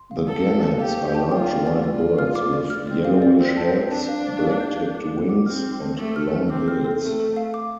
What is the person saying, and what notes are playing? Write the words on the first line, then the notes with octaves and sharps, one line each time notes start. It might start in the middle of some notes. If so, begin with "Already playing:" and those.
The gannets are large white birds with yellowish heads; black-tipped wings; and long bills.
Already playing: C6
F5
A4 F5
F5
A5
G4 F5
F5
A5
F4 G5
D5
D5
F4 D5
D5
F6
D6
D5
F6
C4 D5
F5
D5
C4 C5
A5
C5
D4 A5
F5
C5
F5
G6
F5
D6
D6
D6
C4 F6
D6
A5
A3 D6
F6
C5
C4 D6
F6
A4
A3 A4
A4
F5
D6